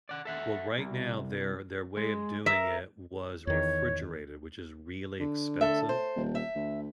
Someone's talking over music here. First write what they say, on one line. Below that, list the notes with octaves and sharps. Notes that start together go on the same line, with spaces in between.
well, right now, their their way of doing it was refrigerated, which is really expensive,
D5 F#5
A4 E5 F#5
C2
G#3
A#4 E5
E2 D#3 C#5
D3
A4 E5
C5
D#1
E5
D2